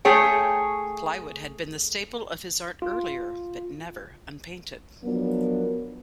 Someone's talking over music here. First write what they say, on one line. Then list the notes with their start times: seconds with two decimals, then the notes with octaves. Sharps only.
Plywood had been the staple of his art earlier, but never unpainted.
0.05 A3 G#4 C#5 G5
2.82 F4
5.04 F3 F#3 B3 D4 A#4